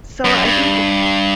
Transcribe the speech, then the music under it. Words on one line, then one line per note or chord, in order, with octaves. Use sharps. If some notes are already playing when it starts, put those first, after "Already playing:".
So I think w
F#2
G2